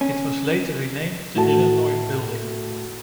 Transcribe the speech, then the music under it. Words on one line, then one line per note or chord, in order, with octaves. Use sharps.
It was later renamed the Illinois Building.
C#4
A2 F#4 A5